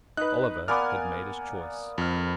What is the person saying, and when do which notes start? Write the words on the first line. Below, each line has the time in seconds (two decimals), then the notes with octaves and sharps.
Oliver had made his choice.
0.17 D#4 B4 F#6
0.68 A#3 B3 D5 G#5 D6 F6
1.98 F2 F6